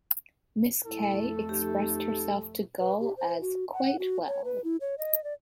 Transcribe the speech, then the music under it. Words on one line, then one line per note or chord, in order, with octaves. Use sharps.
Miss K expressed herself to Gull as "quite well".
F2 A3 E4 A4
D#4 G4
B4
G4
C5
F#4
F#5
F#4
C#5
B4
E4
C#5
D#5
D5